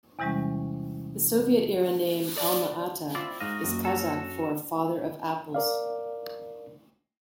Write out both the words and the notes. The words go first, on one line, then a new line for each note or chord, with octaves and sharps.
The Soviet-era name, Alma-Ata, is Kazakh for "Father of Apples".
E2 C3 E3 G3 G#3 C#4
D5
C4 E4 F4 D5
G#2 F#4 D#5 F5
F#2 A#3
C#4 F#4 A4
A#4 D5 F5